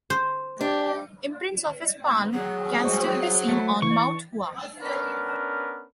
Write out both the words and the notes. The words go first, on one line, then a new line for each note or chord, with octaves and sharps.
Imprints of his palm can still be seen on Mount Hua.
C5
D4 G4
F#3 G#4
C5 C#6
A3
E3 C#6
B3 C#4 D4 A#4 B4